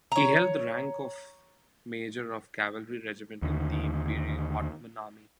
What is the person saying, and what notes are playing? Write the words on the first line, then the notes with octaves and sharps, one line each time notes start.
He held the rank of major of cavalry regiment in the imperial Ottoman army.
C#5 A#5
D#2 D3